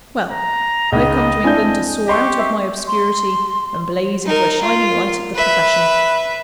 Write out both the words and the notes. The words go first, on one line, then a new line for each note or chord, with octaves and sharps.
Well, I have come to England to soar out of my obscurity and blaze into a shining light of the profession.
A#5
C#2 D#4 D#5
C4 D4 E4 G#5 G6
G4 D#5 C6 C#6
E5
C6
D#4 A#4
F4
B4 E5